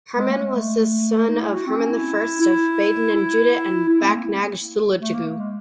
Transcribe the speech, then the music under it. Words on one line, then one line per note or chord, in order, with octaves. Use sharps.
Hermann was the son of Hermann I of Baden and Judit of Backnang-Sulichgau.
G#3
A#3
G#3
A3
D#4
E4
F#4
C4
C#4
E4
E4
E4
E4
C4
A3
A#3
A3
A#3
G#3